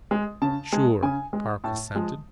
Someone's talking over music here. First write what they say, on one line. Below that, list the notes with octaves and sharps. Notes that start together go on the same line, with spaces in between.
"Sure," Park assented.
G#3
C#3 A5
G#3
C#3 G#5
G#3
A2 A5
F3 G#3